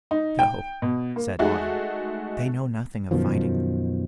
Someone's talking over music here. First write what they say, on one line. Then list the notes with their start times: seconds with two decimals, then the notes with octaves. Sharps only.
"No," said Otto, "they know nothing of fighting."
0.11 D#4
0.39 G5
0.82 B2
1.16 A#3
1.39 G#3 A3 D#4 F#4 G#4
3.11 F#2 B2 D#3 F3